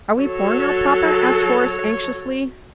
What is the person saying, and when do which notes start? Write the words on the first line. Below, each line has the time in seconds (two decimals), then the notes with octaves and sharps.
"Are we poor now, papa?" asked Horace anxiously.
0.20 F#3 A4 C#5